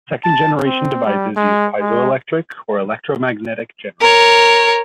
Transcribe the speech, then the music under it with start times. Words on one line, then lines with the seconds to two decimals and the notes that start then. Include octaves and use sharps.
Second generation devices used piezoelectric or electromagnetic generators.
0.24 A5
0.66 C4
1.06 G3
1.36 G#3
1.80 G#3
4.00 A#4 C#5